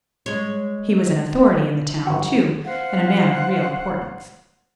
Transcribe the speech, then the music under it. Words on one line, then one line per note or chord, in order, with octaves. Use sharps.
He was an authority in the town, too, and a man of real importance.
G#3 C#5
G1 F#4
C5 F5 F#5